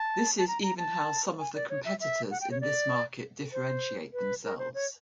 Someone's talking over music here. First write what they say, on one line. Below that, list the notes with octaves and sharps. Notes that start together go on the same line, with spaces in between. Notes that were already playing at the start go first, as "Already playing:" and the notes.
This is even how some of the competitors in this market differentiate themselves.
Already playing: A5
A5
A#5
A#5
A5
G#5
D5
C#5
E5
E5
F#5
G5
C#5
D5
C5
B4
A#4
C5
C#5